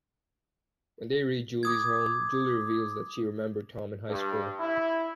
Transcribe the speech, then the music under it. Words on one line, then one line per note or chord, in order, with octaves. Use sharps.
When they reach Julie's home, Julie reveals that she remembered Tom in high school.
D6 D#6 G#6
G2
E4